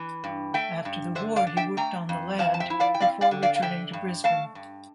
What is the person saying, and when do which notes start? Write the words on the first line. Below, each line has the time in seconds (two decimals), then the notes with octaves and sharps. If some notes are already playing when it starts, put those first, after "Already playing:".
After the war he worked on the land before returning to Brisbane.
Already playing: E3
0.24 G2
0.54 A3 E5 G5
0.85 G2
1.15 D3 C5 E5
1.36 D5 F5
1.47 D4
1.57 E5 G5
1.77 A3 G5 A#5
2.09 F2
2.39 F3 F5 A5
2.54 A5
2.60 E5 G5
2.70 E4
2.80 D5 F5
2.94 G5
3.00 C4 D5 F5
3.21 D5 F5
3.31 D3
3.43 D5 F5
3.56 F5
3.62 D3 E5 G5
3.93 G2
4.24 A3 F5 A5
4.55 G2